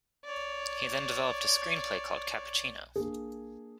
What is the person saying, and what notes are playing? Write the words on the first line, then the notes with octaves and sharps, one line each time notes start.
He then developed a screenplay called "Cappuccino".
C#5 D5
A#3 D4 G#4